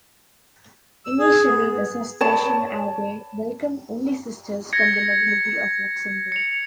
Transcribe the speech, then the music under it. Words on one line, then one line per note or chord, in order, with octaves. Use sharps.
Initially, the Cistercian abbey welcomed only sisters from the nobility of Luxembourg.
E6
G#4
B3
C#5 D5 A5 B5
G#6 A#6 C#7
C#7 F7